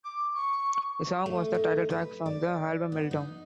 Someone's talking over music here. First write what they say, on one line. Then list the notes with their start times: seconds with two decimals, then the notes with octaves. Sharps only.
The song was the title track from the album "Meltdown".
0.04 D6
0.34 C#6
1.26 A3
1.54 D#4
1.91 B4
2.26 D5
2.92 B3
3.11 D#4